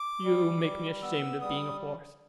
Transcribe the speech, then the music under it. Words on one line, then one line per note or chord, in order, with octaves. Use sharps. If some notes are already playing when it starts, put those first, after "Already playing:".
You make me ashamed of being a horse.
Already playing: D6
G3
G3
B3 E6
G3 D#6